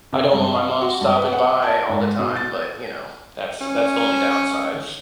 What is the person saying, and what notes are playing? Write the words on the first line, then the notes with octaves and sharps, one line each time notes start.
I don't want my mom stopping by all the time, but, you know, that's that's the only downside.
C3
G2
F5
F#4
G2
B4
F#5
A5
G#2
B2
A6
C#4